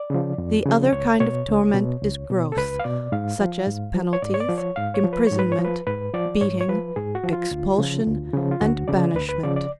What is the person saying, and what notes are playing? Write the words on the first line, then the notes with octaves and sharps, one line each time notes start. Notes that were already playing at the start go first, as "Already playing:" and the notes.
The other kind of torment is gross--such as penalties, imprisonment, beating, expulsion and banishment.
Already playing: D5
C#3 F3
F2
C#3 F3
C#2 C#5
B2 C#5
C#2
B2
C#2
B2
A4
C#2 B4
F5
B2 D5
G#2 F5
F3
G#2
F3
C#5
G#2 D5
C#5
D5
F3
C#5
G#2 F5
C#5
F3
B4
G#2 C#5
B4
C#5
F3
B4
G#2 B4
F3 D5
G#2 C#5
C#5
F3 B4
G#2 G#4
F#4
F3
F4
D2
C#3 F3
D2
C#3 F3
F4
D2 F#4
C#3 F3 D5
D2 B4
B4
C#3 F3 D5
D5